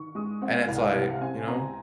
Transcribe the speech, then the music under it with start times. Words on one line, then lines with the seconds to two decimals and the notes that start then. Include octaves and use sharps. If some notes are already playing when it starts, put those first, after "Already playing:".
And it's like, you know?
Already playing: D#3 C#6
0.15 G#3 D#6
0.42 C4 F#5
0.62 F5
0.68 C2
0.76 F#5
0.82 F5
0.94 C3
1.01 F#5
1.21 C4 G#5
1.47 C4 A#5